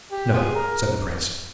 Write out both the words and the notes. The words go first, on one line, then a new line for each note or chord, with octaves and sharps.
'No,' said the Prince.
G4
B3 F4 G#4
A#4